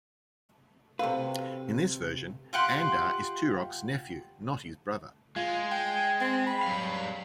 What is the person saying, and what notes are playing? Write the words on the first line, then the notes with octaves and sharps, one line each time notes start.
In this version, Andar is Turok's nephew not his brother.
C3 F#4 A4 B4 F5
F4 G4 F#5 C6
G#3 F4 G#5
G5
C4
B5
F#3 G3 F5